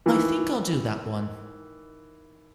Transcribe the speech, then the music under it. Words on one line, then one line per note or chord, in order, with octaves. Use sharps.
I think I'll do that one.
D#3 E3